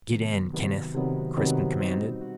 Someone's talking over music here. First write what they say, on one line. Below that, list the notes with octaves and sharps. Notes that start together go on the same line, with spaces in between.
"Get in, Kenneth," Crispin commanded.
C3 D#3 F#3 B3
C3 D#3 F#3 B3
C3 D#3 F#3 B3
C3 D#3 F#3 B3
B2 G3 C4 D#4 F#4
F#4